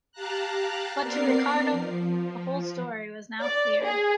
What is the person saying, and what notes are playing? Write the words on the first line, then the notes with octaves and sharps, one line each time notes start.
But to Ricardo the whole story was now clear.
G4 F5 A5 A#5 F#6
B3 C4 A#4 D5 C7
F3
D5
G#4